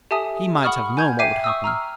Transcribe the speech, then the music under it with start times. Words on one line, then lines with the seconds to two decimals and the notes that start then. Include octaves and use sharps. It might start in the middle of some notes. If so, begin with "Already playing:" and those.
He might have known what would happen.
0.11 G4 A4 E5 G#5 A5 D#6
0.64 F#5 B5 C#6 D#6 F6
0.97 G#5 G6 G#6
1.19 E5 G5 D6 C7 D#7
1.44 C#6 D#6 E6
1.64 A#5 E6 F6